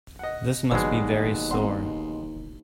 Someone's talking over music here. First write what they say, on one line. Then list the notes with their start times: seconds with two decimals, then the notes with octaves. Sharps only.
This must be very sore.
0.19 D#5 F#5
0.71 G1 D#2 B2 F3 F#3 G#3 D4 E6
1.51 G3 B3 C4 C6